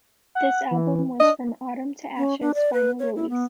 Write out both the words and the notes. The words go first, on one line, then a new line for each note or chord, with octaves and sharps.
This album was From Autumn to Ashes' final release.
F#5
E3
D4 D#5
C#4
D4
D5
B4
C#5
E4
B3